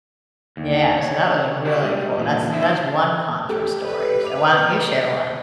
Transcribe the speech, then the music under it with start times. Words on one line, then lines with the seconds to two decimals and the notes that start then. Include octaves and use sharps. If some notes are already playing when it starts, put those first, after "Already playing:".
Yeah, so that was really cool. That's that's one concert story. So why don't you share one?
0.57 D#2
0.97 C#5
1.65 E4 F#4 G4 C5
1.83 G3 G#3
2.17 A#2 C#3 E3
2.50 D#4 E4 C5 E5
3.49 A3 G4 A4
3.82 B4
4.25 D6 F7